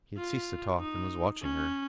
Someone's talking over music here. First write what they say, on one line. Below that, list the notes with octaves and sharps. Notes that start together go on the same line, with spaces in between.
He had ceased to talk, and was watching her.
F4
D#4
C#4